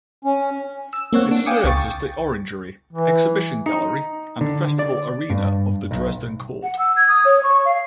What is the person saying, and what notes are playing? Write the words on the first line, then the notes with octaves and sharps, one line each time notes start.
It served as the orangery, exhibition gallery and festival arena of the Dresden Court.
C#4
E6
A#3 C4 C#5 F#5
D4
F5 G5 G#5 D6 D#6 C#7
C#2 G5 C#6 A6
E3
D#4
D3
D5
G2
B1
F#5
E6
G#6
D#6
C#5
C#6
F5